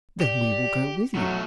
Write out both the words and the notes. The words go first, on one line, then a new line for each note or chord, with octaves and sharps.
"Then we will go with you."
G4 D5
B2 F#3 A3